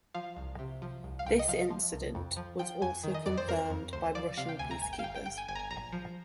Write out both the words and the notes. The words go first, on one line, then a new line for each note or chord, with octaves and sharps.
This incident was also confirmed by Russian peacekeepers.
F3 F5
C2
C3
F3
C2
F5
C2 G5
D#5
F3 F5
F3
C2
F2
F3
F3 G5
F2 G#5
D#3
D#5
F2 D5
C5
F2 A#4
F2
D2 C5
F3 D5
C3 F5
G5
D2 G#5
A#5
G1 G#5
G5
F5
G1 G5
G5
G1 G5
G#5
G1 G#5
A#5
G#5
A#1 A#5
F3